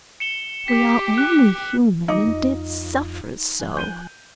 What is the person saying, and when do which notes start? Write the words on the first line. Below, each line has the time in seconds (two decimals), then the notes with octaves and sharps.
We are only human, and did suffer so.
0.20 C#7 E7 G7
0.68 G4 B6
1.18 F#6
2.08 D#3 E3 D#4 D#5 D6
2.27 F2 F4
3.60 F3 G#5 F#6
3.77 G6 D#7 G7